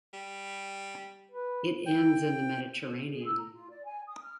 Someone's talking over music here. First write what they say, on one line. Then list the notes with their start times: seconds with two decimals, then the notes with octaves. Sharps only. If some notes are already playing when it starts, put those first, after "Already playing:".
It ends in the Mediterranean.
0.14 G3
1.32 B4
1.86 G5
3.09 G#4
3.25 E6
3.38 A#5
3.54 F4
3.70 D5
3.84 G#5
4.07 D#6
4.21 F6